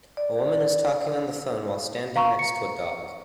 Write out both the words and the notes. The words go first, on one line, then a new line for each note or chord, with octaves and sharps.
A woman is talking on the phone while standing next to a dog.
D5
F5 A#5 C#6
C#7